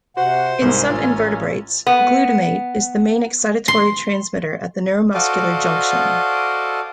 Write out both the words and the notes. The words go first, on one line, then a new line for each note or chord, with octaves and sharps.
In some invertebrates, glutamate is the main excitatory transmitter at the neuromuscular junction.
C3 F#4 C5 F#5
C2 G#2 G3 A#4 G#5
A1 C#4 F4 A6
B3
C6
F#4 A4 C5 D5 D#5 F5